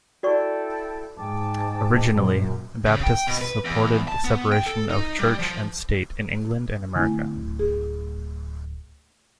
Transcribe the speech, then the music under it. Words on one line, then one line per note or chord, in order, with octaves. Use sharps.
Originally, Baptists supported separation of church and state in England and America.
E4 F#4 A4 D5 G5 C#6
G#2 G5 A5 D6
F#2 A#2
C#3
G5
B2
B4
E2
A5
B3
G5
A4
D#4
G3
F3
D3 A3 B3 C4 E4 G#5
D1
G#4